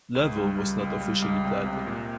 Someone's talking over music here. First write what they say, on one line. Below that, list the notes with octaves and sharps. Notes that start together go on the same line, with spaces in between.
Level was not officially platted.
C#2
G3
C#2
C#2
G3
C#2
C3
C3
A#2